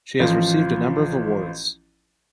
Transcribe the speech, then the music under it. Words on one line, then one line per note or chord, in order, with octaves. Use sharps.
She has received a number of awards.
A1 F3